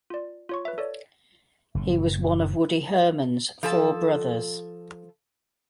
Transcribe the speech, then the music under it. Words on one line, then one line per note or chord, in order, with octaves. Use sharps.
He was one of Woody Herman's "Four Brothers".
F4 D5
F4 C#5 C#6
B4 E5
A4 C#5 D5
F#1 A2
F3 A4 A5